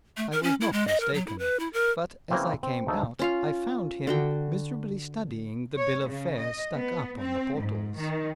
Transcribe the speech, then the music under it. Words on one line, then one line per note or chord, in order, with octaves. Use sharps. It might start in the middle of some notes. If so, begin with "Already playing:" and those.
I was not mistaken, but as I came out I found him miserably studying the bill of fare stuck up on the portals.
A3
A#4
C#4
E4
G#3
D#5
A#4
F#3
E4
B4
E4
A#4
C#3 E3 A#3 C4
C4
D2 C#3 D#4 A4
C#4 F4 F5
D3 F#4 G5
C#5
C#3
D#5
B3
C4
G#2
D#3